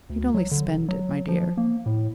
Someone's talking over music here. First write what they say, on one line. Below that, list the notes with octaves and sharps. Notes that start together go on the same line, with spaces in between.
"He'd only spend it, my dear."
D2
F#3
D3
E1
F#3
F3
A#3
A2